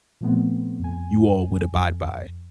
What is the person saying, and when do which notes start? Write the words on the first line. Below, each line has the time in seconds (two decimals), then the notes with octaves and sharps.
you all would abide by?
0.21 A#2 F3 A3 B3 C4
0.80 F2 G#5
1.72 F2